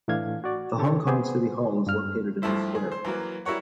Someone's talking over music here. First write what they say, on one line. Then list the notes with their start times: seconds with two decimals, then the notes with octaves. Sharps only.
The Hong Kong City Hall is located in the square.
0.08 A2 E3 A3 D4 F5 G#6
0.44 F#4 D5
0.78 D3 G4 A4 C#5
1.07 B3 G#4 C5
1.87 G2 F6
2.42 C2 G2 F3 A3 E4 C5
2.75 G#4
2.92 C5
3.05 E3 F#3 A#3
3.45 G3 E4 F#4 A#4 C#5 F#5